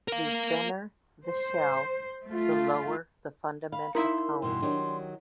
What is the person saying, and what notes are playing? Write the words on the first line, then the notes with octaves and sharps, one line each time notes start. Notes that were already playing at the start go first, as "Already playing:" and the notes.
The thinner the shell, the lower the fundamental tone.
A#4 F5
C5
A3 F4
F5 B5
D#4 E4 A#4 E5 C6
G2 B2 E3 C6
D#3 F#3 D4 G4